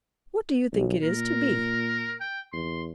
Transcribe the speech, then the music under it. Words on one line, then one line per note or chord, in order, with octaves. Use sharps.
What do you think it is to be?
B1
A#2 A#4
G5
E2 C6